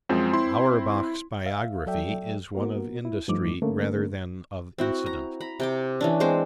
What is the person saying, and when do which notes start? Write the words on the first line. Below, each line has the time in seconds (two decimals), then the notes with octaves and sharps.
Auerbach's biography is one of industry rather than of incident.
0.09 F#2 F3 G#3 C4
0.33 E4 C6
1.46 E5 F5
1.86 F#3 A4 D5 E5 G5
2.55 A#3 B3 F#4 A#4
3.05 E4
3.28 G2 F3 A3 D#4 D6
3.62 D3 A3 A#3 C#4 A#4
4.78 C4 E4 F#4
5.06 A#5
5.41 A#5 B5
5.60 C3 G5 D6
6.01 E3 C#4 D4
6.20 G#3 C4 C5